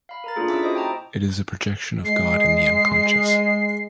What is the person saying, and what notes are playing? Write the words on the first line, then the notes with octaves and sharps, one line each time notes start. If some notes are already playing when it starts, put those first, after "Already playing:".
It is a projection of God in the unconscious.
F5 B5
A#4 A#5 A6
A#3 D4 F4 G#4 A4
C#4 E4 E5 A5 D6 E6
E4 F#4 C5 D#5 D#6
G5 A5 A#5 D6
G#3 C7